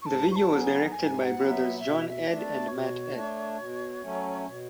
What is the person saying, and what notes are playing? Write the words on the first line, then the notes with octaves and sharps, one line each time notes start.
The video was directed by brothers John Edde and Matt Edde.
G#2 A5 C#6
C#6
A5
F#3
B3
G#5
G#2 G#5
G#5
F#5
F#3 B3
E5
B2 E5
E5
A3 D4
D5
B2 C#5
A3 D4
B2
F#3 A3 C#4
B2